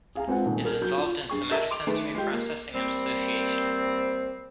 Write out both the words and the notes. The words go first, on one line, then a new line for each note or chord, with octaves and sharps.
It is involved in somatosensory processing and association.
G#4 F5 G#5 A#5
G#3 C4 F4 B4 F#5 G#5
D#1 D#3
G#4 A#4 F6
F#3 G6
F4
G2 G#4 C#6
A4 A#4 D#5 E5
C6 D6 D7 F7
D#3 A3 G#4 B4
G#3 F4 G4
A#3
G3 A#3 C4